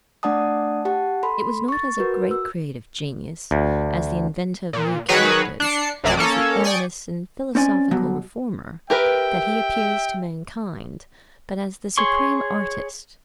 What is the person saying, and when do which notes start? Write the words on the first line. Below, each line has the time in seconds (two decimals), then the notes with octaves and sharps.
It was not as a great creative genius, as the inventor of new characters, as the earnest and philosophical reformer, that he appears to mankind, but as the supreme artist.
0.23 A3 D4 D5 F#5 A5 D#6
0.85 G4 F#5 A5
1.23 A4 B5 C6
1.68 C#6 A6
1.98 F#4 A#4 B4
2.31 E6
3.51 D2
4.73 A#2
5.08 D#3 F#3 F#4 G#4 B4 C#5
5.60 D4 C7 C#7
6.04 A#1 F#2 C3 F#3 D5
6.17 A#3 C#4 A4 C#5
6.64 D5 G5 G#5 C#6 D#6
7.55 C4 C#4 D5 G#5
7.91 B2 F#3 G3
8.90 G4 A#4 B4 E5 G5
11.98 G#4 C#5 C6 C#6